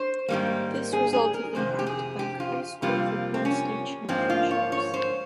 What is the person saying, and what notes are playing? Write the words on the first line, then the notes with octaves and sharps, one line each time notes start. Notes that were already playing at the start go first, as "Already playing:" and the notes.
This resulted in back-to-back High School Football State Championships.
Already playing: C5
G#2 D#3 G3 A#3
G#4
G#4
A#4
F2 C3 D#3 C5
G4
G#4
G4
F4
F2 C3 G3 A#3 F4
C4
C#4
G#2 F3 A#3 C4
F4
C#5
C#5
C5